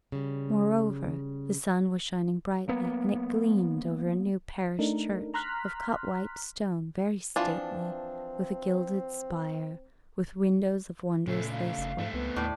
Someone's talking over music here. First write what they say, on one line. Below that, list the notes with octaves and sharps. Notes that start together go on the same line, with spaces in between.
Moreover, the sun was shining brightly, and it gleamed over a new parish church, of cut white stone, very stately, with a gilded spire, with windows of wondrous lacework.
C#3 G3
F#3 A#3 B3
A3 D4 D#4 A#4
A#5 C6 F6 F#6 B6
E3 F3 C4 D4
A#2 C#3 A3 A4
F5
F#1
G#2 A3 C4
C#2 B3
D#2 A2 D5